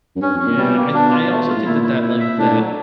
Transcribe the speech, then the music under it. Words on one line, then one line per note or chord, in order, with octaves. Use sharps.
Yeah, I th I also think that, like, that,
F#2
G2 C#4
F2
C#4
A#2
B2 G3
A#3
B2 D4
F4
A3
F4
A2
A#2 E4
E4
E4
E5
A2 D4
A2
F#3